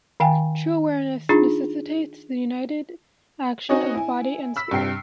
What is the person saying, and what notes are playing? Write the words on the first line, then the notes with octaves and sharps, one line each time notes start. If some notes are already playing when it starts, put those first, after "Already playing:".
True awareness necessitates the united action of body and spirit.
D#3 F5 G5 G#5
D4 D#4 F4 G#4
C4 D#4 F#4 C#5 D#5 G#5
E4 G#5
B5 E6 B6
G2 C3 G5 C7